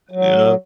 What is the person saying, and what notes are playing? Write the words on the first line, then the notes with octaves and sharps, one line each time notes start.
You know?
F#3